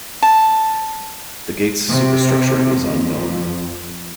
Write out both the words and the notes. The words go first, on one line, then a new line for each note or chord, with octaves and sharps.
The gate's superstructure is unknown.
A5
C3
F2